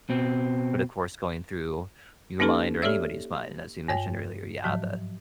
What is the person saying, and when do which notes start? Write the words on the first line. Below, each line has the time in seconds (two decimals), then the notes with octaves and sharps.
but, of course, going through your mind or anybody's mind, as you mentioned earlier, yeah, the
0.10 B2 C4
2.40 A#3 C#4 D#4 G4 A4 B4
2.82 G4 A4 C#5 D5 E5 E6
3.88 G2 C#5 G5
4.64 G#2 F3 F#3